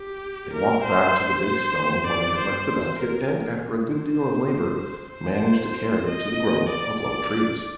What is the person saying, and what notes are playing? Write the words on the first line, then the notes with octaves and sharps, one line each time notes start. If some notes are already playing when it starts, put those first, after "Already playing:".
They walked back to the big stone where they had left the basket, and after a good deal of labor managed to carry it to the grove of low trees.
Already playing: G4
A#4
C5
C5
D5
C5
C5
A#4
C5
C5
D#5
D5
D5